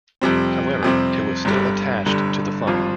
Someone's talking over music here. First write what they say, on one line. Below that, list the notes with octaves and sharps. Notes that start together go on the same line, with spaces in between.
However, it was still attached to the funnel.
F2 C3 G3 C4
F2 C3 G3 C4
G1 G2 D3 G3
G1 G2 D3 G3
G#1 G2 F3 C4 F4